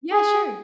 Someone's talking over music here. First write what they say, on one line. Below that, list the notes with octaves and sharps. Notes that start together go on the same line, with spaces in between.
Yeah, sure.
G#4